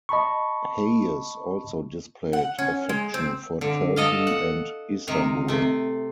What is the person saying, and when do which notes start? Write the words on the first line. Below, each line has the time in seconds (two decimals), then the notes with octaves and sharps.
Hayes also displayed affection for Turkey and Istanbul.
0.09 D#5 A5 B5 C#6
2.33 F#5
2.59 C#4
2.89 G#3
3.14 C4
3.61 D3
3.96 A4 D#5 F5
4.27 F#5
5.07 C3 D#3 A#5
5.48 C3 A3